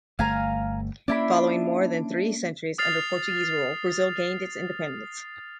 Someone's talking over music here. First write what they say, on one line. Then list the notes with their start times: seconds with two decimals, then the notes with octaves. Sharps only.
Following more than three centuries under Portuguese rule, Brazil gained its independence.
0.19 G1 A3 F5 G#5 A#5
1.08 A#3 C#4 D4 E4 B5
2.78 D#6 F6 A6 C7 F7